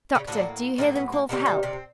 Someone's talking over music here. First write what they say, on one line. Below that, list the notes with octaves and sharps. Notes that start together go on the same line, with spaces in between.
"Doctor, do you hear them call for help?"
C#3 C#4
A2 D3 F#3 A#3 D4
A2 D#3 F#3 A#3 D#4
B3
A#3
C3 D#3 G3 A#3 B3
A#3
C3 C4